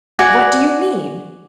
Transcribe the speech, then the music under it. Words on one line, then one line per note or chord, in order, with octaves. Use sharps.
"What do you mean?"
F#4 D5 G#5